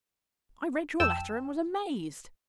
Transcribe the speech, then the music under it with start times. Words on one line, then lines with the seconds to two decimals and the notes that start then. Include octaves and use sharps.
I read your letter and was amazed.
1.00 F2 G5 A5 E6 E7